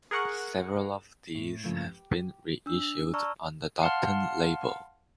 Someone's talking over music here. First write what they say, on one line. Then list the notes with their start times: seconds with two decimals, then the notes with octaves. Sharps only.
Several of these have been reissued on the Dutton label.
0.11 G#4 A#4 F#5 C#6 F#6
1.35 A2
1.63 G2 C#3 F3 A3 A#3 E4
1.85 G4
2.66 D4 E6
3.14 D5 A5 A#5 C#6 E6 F6
3.82 F5 F#5 A5 C6 F6